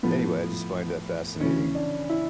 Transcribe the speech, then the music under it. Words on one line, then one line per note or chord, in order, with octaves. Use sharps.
anyway, I just find that fascinating.
A2 F3 B3
C#3 E3 C#4
D4
E4